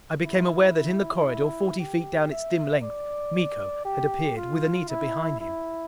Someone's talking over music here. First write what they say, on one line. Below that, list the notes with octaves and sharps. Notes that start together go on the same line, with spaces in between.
I became aware that in the corridor, forty feet down its dim length, Miko had appeared with Anita behind him.
E4
E4
G4
E5
D5
G4
F4
E4
E4